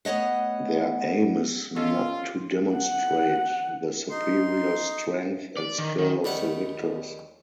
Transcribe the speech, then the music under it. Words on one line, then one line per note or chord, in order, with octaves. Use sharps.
Their aim is not to demonstrate the superior strength and skill of the victors.
A3 B3 C#5 D#5 F#5
C#4 F4 A4 D#5
F#5
D#4 C6
D5
D#3
D#3
D#2 G3 A3 F#5